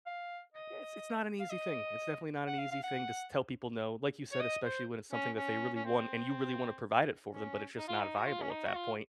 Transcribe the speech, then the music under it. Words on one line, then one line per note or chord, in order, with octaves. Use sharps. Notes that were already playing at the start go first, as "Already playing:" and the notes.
yeah it's it's not an easy thing, it's definitely not an easy thing s to tell people "no", like you said, especially when it's something that they really want and you really wanna provide it for them, but it's just not viable at that point.
F5
D#5
F5
D#5
F#5
F5
F5
F#5
C#5
D#5
C5
C#4
C#4
C#4
C4
C#4
D#4
F4
D#4
F#4
F4
C#4
D#4
F#4
F4